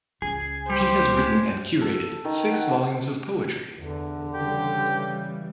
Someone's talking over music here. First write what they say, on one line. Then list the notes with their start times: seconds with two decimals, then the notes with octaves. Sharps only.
She has written and curated six volumes of poetry.
0.22 C#2 G#4
0.70 G3 G4 C5
1.17 G#3
1.81 A4
2.25 D#3
2.51 F#5
3.78 E2 D3
4.34 C#3 E3 G3 G4